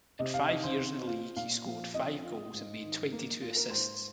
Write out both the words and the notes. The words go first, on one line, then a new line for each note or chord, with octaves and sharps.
In five years in the league, he scored five goals and made twenty-two assists.
C3 D#5
F5
D#3 D#5
C5
C4
F4
A#2 F5
F3
C4 D#5
F4
G#2
D#3
A#3
F4
A#4
G#2 C5